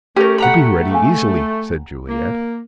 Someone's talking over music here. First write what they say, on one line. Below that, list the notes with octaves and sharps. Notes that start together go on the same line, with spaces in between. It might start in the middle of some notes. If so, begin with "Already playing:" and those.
"I could be ready, easily," said Juliet.
A3 C#4 G4 A#4
F#5 A#5 B5
G#4 F5 G#5
A#3